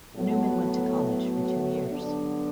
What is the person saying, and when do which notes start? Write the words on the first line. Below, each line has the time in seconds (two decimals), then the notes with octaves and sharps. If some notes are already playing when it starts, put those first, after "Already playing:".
Newman went to college for two years.
0.14 A2 F#3 B3
1.89 G2 D3 F#3 B3 D4